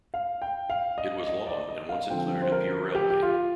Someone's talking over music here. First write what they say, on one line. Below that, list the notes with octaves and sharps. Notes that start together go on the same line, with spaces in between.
It was long and once included a pier railway.
F5
G5
F5
D#5
D#5
D5
D#5
F5
D3 F3 C4 G5
C5
A#4
G4
G4
F4